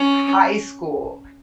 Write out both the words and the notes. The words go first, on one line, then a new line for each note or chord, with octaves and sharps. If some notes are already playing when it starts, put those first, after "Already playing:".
high school,
Already playing: C#4